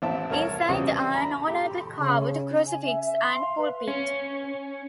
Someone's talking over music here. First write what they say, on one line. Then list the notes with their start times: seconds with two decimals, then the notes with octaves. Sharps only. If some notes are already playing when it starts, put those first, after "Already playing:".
Inside are an ornately carved crucifix and pulpit.
0.02 A1 C4 E4 E5 A5
0.30 C2 A#4 C#5 A5
0.68 C#3 E3 G3 C4 E4 F#4
1.14 A#5 B5
1.48 G4 A4
1.98 C#3
2.67 G#5
2.85 E5
3.05 E5
3.22 C6
3.41 F5
3.58 B4
3.88 C#4